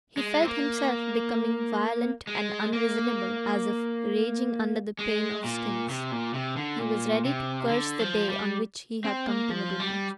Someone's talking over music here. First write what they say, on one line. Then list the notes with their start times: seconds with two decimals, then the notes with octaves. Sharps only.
He felt himself becoming violent and unreasonable as if raging under the pain of stings: he was ready to curse the day on which he had come to Middlemarch.
0.17 G#3
0.42 C4
0.48 A#3
2.27 G#3
2.73 A#3
4.99 G#3
5.44 A#2
5.89 C3
6.11 A#2
6.34 C3
6.56 D3
6.79 A#2
7.24 C3
7.69 D3
7.99 F3
8.30 G3
9.04 C4
9.26 A#3
9.50 F3
9.80 G3